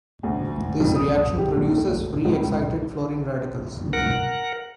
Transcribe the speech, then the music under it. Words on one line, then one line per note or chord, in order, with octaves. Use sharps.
This reaction produces free excited fluorine radicals.
D2
F2
D#6
G4
A#1
A3
C#2
A#4 F#5